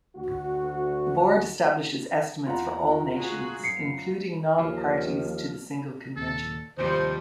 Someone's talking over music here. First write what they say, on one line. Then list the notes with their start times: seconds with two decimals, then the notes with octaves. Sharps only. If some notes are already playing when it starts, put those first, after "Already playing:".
The Board establishes estimates for all nations, including non-Parties to the Single Convention.
0.16 D2 F#4
2.46 E2 F4 F#5 A#5
3.18 F#4 G#4
3.64 F#2 C7 C#7
4.59 D#2 F3
6.16 D#2 A#2 A4
6.77 D#2 C3 D#3 F3 G3 D#4 C5